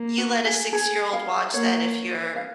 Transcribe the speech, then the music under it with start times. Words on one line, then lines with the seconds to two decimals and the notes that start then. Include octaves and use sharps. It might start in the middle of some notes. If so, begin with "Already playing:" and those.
you let a six-year-old watch that if you're
Already playing: A#3
0.18 F#4
0.45 G#4
0.73 G#4
1.13 F5
1.54 A#3 C#5
2.36 F5